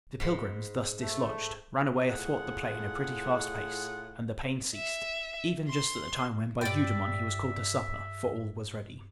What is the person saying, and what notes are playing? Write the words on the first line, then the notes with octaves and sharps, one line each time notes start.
The pilgrims, thus dislodged, ran away athwart the plain a pretty fast pace, and the pain ceased, even just at the time when by Eudemon he was called to supper, for all was ready.
G#2 B5 C6
A3
A2 F4 G#4 F#5
E5
C6
G2 D5 E5 G5 A6